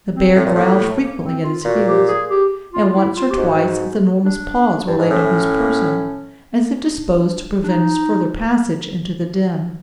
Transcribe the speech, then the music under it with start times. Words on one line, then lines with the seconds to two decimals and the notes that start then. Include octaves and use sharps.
The bear growled frequently at his heels, and once or twice its enormous paws were laid on his person, as if disposed to prevent his further passage into the den.
0.14 C4
0.36 A2 C4
0.46 A#2
0.55 A2 A#3
0.79 A3
1.00 A#3
1.22 C4
1.44 F4
1.65 A#2 F#4
1.87 G4
2.08 G#4
2.30 G4
2.72 F4
2.94 E4
3.15 F4
3.31 G4
3.37 G#2 F#4
4.24 D4
4.87 G2
4.98 G#2
5.10 A2 C#4
6.82 D4
7.63 D4
7.68 D#4